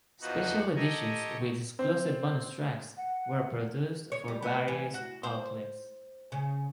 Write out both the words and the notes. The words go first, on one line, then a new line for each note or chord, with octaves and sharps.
Special editions with exclusive bonus tracks were produced for various outlets.
E2 F3 B3 D#4 F#4 F#5
G4 A4 D#5 G#5 A#5 C#6
C4 C5
F#5
C#5
G3
B3
E3
F#4
C5
C#3